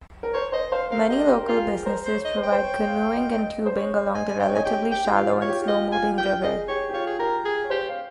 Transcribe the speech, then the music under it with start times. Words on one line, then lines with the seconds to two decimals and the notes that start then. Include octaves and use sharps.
Many local businesses provide canoeing and tubing along the relatively shallow and slow-moving river.
0.23 A#4
0.34 C5 C#5
0.52 C5 D#5
0.72 C5 F5
0.91 A#4 F5
1.09 G4 D#5
1.29 G4
1.41 A#4
1.48 F4 G#4
1.86 A#4 C5
2.06 C5
2.11 C#5
2.25 D#5
2.37 C5
2.44 G5
2.52 C5
2.62 C#5
2.87 F5
3.13 D#5
3.38 D#5
3.66 C5
3.77 C#5
4.15 D#5 G#5
4.28 G#5
4.40 D#5 G5
4.49 C#5
4.55 D#5 G#5
4.65 G4 G5
4.91 G4 G5
5.05 G4
5.10 F4
5.16 F5
5.29 F4
5.42 C#5
5.48 G4
5.62 G4
5.67 F4 D#5
5.92 F4 G#5
6.18 G4 G5
6.43 G#4 D#5
6.68 G4 C#5
6.90 G4
6.94 F4 C#5
7.07 G#4
7.19 G4 A#4
7.45 G#4
7.64 C#5
7.70 G4 C5
7.88 F5